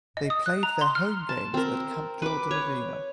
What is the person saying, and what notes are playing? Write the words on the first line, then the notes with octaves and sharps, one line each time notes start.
They played their home games at Camp Jordan Arena.
D#5
D#6
F#6
A#5
C6
F6
A5
C4 A#4
B4 D6
C#5